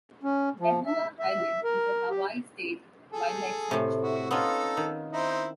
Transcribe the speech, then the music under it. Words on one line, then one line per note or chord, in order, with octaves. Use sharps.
Lehua Island is a Hawaii State Wildlife Sanctuary.
C#4
F3
E5
E5
A#4
G4
G#4 A4
A2 C3
E4 F#4
B3 C#4 D#4 F4 A4 E6
D#3
C4 D#4 E4